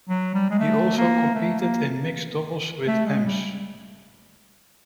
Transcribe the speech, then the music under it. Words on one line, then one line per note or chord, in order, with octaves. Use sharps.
He also competed in mixed doubles with Emms.
F#3
G3
G#3
A3
A#3
A3
A#3
A3
G#3
G3